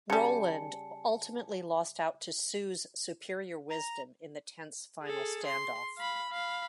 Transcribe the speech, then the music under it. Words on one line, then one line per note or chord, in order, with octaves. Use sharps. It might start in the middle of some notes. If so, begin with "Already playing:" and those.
Roland ultimately lost out to Soo's superior wisdom in the tense final standoff.
C#3 G3 G#5 A5 C#7
A#5
G#4 A4
C6
F5 B5
F5 B5